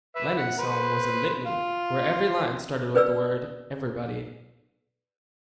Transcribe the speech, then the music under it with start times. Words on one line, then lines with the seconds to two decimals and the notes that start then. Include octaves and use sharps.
Lennon's song was a litany where every line started with the word "everybody".
0.16 B4 E5
0.38 F#5
0.59 B4 C5
1.46 F4
2.94 G#4 B4 D5 E6